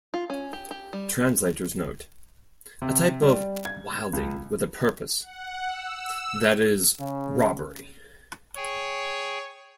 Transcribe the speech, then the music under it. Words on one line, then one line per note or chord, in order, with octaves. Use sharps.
Translator's note: a type of "wilding" with a purpose, that is, robbery.
F4
C#4
G4
G4
G3
C3
G3
G#6
C#2
F#5
E6
C#3
G#4 C#5 G5 G#5